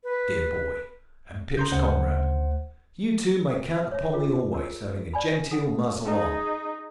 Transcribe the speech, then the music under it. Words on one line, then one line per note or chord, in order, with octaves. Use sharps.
Dear boy, and Pip's comrade, you two may count upon me always having a gen-teel muzzle on.
B4
C#3 A#5 C6 G6
D2 C#3 C5 F#5
C#5 E5
F4 G#4
A#4
D5 G#5 B5
A4 F#5
D#4 G#4